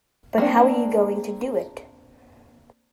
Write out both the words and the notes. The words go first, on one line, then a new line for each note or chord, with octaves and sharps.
But how are you going to do it.
A#3 C4 D4